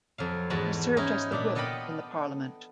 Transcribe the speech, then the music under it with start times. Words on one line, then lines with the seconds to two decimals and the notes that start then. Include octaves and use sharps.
He served as the whip in the Parliament.
0.18 F2 F#3 F5
0.50 E2 G#2 F#4 D#5 A5 B5
0.97 C#4 D#4 E4
1.32 A#2 D4 B5
1.55 B3 A4 D#5 F5 G5 B5